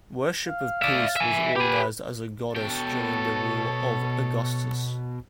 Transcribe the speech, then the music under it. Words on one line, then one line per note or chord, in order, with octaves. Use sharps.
Worship of Peace was organized as a goddess during the rule of Augustus.
F5
D5 E5
E5 G#5
G4 B4 G#5
B2 A4 C#5 G5